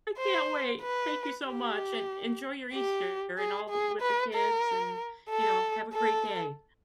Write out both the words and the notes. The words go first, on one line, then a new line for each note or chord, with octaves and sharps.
can't wait. Thank you so much, and enjoy your Easter and all with the kids, and, you know, have a great day.
C5
B4
G4
G4
G#4
G#4
B4
A#4
A4
A4